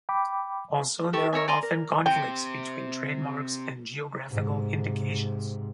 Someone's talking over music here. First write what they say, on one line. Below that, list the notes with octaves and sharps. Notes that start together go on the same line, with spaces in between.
Also, there are often conflicts between trademarks and geographical indications.
G5 B5 D6
E4 G4 A4 C#6
A#4 C#5 E5 G#5
D5 G#5 A#5 C6
A#4
C3 G5
G#2 C3